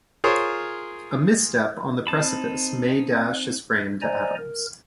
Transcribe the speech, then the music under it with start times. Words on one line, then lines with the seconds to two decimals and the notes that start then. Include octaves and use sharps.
A misstep on the precipice may dash his frame to atoms.
0.24 F4 G#4 A#4 C5 C#5
2.07 C4 D#4 A5 B5
4.02 C5 D5 D#5 G#5 A#5
4.38 A#4